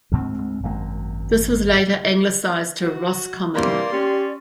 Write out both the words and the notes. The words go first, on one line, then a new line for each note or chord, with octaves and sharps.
This was later anglicised to Roscommon.
D2 G#2 C4
G#1 F#2 D#3 A#3
F#4
C3 E3 G3 A#3 D5 C6
C#4 G4